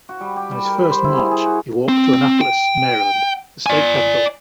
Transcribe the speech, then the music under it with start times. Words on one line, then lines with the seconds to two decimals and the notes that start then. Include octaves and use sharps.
On his first march he walked to Annapolis, Maryland, the state capital.
0.09 F#4
0.21 G3
0.36 G4
0.51 G3
0.65 A#4
0.78 B5
0.91 C5
1.04 E4
1.17 G#4
1.31 G#4
1.46 F#4
1.89 C4
2.41 G5
3.66 D5 G#5